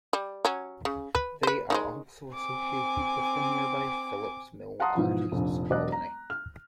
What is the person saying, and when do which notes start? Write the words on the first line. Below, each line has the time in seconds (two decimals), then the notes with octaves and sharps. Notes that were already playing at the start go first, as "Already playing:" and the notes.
They are also associated with the nearby Phillips Mill artists colony.
0.13 G3
0.45 F#3 C#4
0.85 C#3
1.15 B4
1.43 B4 C5
1.70 D#3 G3 G#3
2.34 C4 G#5 D6
4.80 F5 F#5 A5 A#5 C6 D#6
4.95 G#2 B2 E3 F3
5.32 F1 A#1
5.70 E1 F#3 D5 D#5 F#6
5.92 A#5
6.30 F6